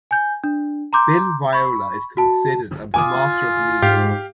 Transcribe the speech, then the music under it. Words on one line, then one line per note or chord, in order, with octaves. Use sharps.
Bill Viola is considered a master of the medium.
G#5 G6
D4
A#5 C6 D6 G6
B5 C#6
F#4 A5
F4 G#5 D6 D#6
G#2 G4 F5